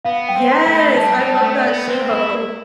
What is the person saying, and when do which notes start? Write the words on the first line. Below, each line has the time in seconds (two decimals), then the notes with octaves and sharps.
Yes! I love that show.
0.05 B3 F5
0.29 G5
0.36 C4
0.51 C6
0.66 A3
0.74 B5
0.96 G3 A5
1.19 G3
1.28 A5
1.43 A3
1.57 D5
1.66 B3
1.88 C4 B4
2.11 E4